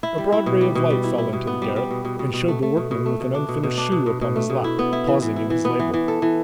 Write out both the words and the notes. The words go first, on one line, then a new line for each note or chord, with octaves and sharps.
A broad ray of light fell into the garret, and showed the workman with an unfinished shoe upon his lap, pausing in his labour.
E4
G3
E4
B2
G3
B2
G3
E4
E4
B2
B3
G3
G3
B2
B2
B2
B2
A3
A3
B2
B2
A3
B2
D4
B2
B2
D4
B2
B2
B2
A3
B2
E4
B3
E4
E3
E3
E4
E3
B3
E3
E3
A4
E3